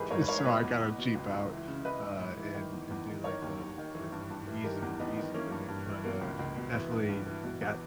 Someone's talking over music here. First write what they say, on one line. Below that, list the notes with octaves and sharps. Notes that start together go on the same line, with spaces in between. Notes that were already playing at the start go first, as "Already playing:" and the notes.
So I gotta cheap out, uh, and and do, like, the the easy easy thing. But, uh, definitely got
Already playing: G#2 E3 G4 G#4 A#4 B4
G#2 A#4 C#5
B4
E3 A#4 C#5
C#5
B2 B4 D#5
E2
E2
B2
C#2
C#2
E3
C#3
E3 B4 D#5
G#2
G#2
E3
D#3
E2
E2
D#3
D#3 A#4 C#5
D#2
D#2
D#3
E3
G2
G2
E3
D#3 G4 A#4
E2
E2 B3 D#4
D#3
E3 A#3 C#4
G2
G2
E3
B2 A#3
C#2
C#2
B2
E3 B3
G2
G2
E3
B2
E2